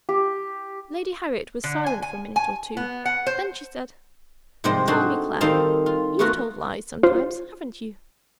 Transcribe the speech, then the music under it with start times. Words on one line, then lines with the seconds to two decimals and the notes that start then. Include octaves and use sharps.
Lady Harriet was silent for a minute or two; then she said,--"Tell me, Clare; you've told lies sometimes, haven't you?"
0.09 G4
1.64 D3
1.86 G#5
2.02 G#5
2.36 G#5
2.77 B3
3.05 F#5
3.27 C5
4.64 G#2 C3 F3 G3 G#3 C4
4.87 D4 D#4 F#4 G#4 A4 C5
5.41 D#3 G3 C4 D#4 A4 F5
5.86 F4
6.19 A3 B3 F4 F#4 A#4
7.03 F4 C5